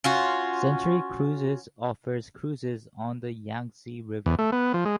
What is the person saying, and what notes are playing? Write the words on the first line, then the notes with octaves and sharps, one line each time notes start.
Century Cruises offers cruises on the Yangtze river.
C#4 F4 F#4
E2
A3
B3
F3
G#3